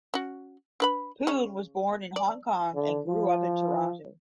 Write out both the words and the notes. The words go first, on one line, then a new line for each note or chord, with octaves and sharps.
Poon was born in Hong Kong and grew up in Toronto.
C#4 F#4
D4 B4 B5
C#3 C#4
D5
D3
F3